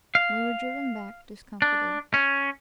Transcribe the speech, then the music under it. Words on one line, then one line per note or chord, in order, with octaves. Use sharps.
We were driven back discomforted.
F5
D4
C#4